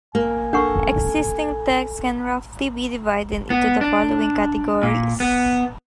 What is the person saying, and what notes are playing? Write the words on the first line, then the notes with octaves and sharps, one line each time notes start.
Existing texts can roughly be divided into the following categories.
A#3 G#5
D4 A4 A#4 F#5 C#6
B3
D4
A#2
B3